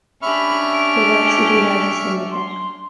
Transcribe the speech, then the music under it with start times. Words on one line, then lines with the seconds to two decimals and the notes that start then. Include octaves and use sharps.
The varsity has a syndicate.
0.22 C#4 D4 G4 E5 B5 C#6 F6
0.73 D7
2.32 C6